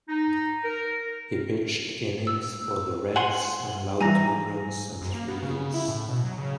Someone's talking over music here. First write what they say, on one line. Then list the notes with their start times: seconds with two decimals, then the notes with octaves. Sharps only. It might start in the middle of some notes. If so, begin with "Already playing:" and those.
He pitched innings for the Reds and allowed two runs and three hits.
0.08 D#4
0.64 A#4
2.27 E6
3.16 F#5 G#5 C6 F#7
4.01 G2 E3 G#5 A#5 A#6
5.02 F#2
5.14 A#3
5.28 B3
5.43 C#3
5.59 C#3
5.74 E4
5.88 A2
6.08 B2
6.24 F#3
6.38 C#3